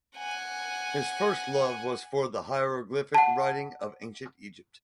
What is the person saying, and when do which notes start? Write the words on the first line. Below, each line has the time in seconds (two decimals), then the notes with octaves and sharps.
His first love was for the hieroglyphic writing of ancient Egypt.
0.16 F#5 G#5
3.14 F#5 A5